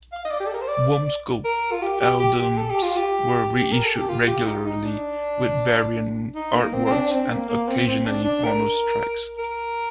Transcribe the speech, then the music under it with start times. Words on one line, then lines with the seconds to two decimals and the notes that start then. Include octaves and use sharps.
Wumpscut albums were reissued regularly with variant artworks and occasionally bonus tracks.
0.12 F5
0.25 D#5
0.31 D5
0.40 G4
0.47 A4
0.54 A#4
0.62 C5
0.68 D5
1.44 A#4
1.72 F4
1.82 G4
2.01 G4
2.20 G4
2.39 G4
2.57 A4
2.70 G4
2.82 F4
2.96 G4
3.72 A#4
3.85 A4
3.96 G4
4.09 F4
4.27 G4
4.46 D#4
4.66 D#4
4.84 D4
6.35 D#4
6.55 A#3
6.74 C4
6.86 C4
6.92 D4
7.11 C4
7.30 A#3
7.49 A#3
7.68 C4
7.87 C4
8.06 D4
8.25 D4
8.44 A#4
9.38 A#4